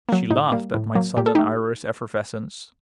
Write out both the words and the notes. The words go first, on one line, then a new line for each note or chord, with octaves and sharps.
She laughed at my sudden Irish effervescence.
F#3 A#3
A2 D#4
G3 A#3
A2
F#3 A#3
A#2 G4
A4
A3 D#4 G4